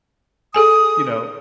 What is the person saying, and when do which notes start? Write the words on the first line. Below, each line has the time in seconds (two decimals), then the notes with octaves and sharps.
you know,
0.54 G#4 A4 G#5 D#6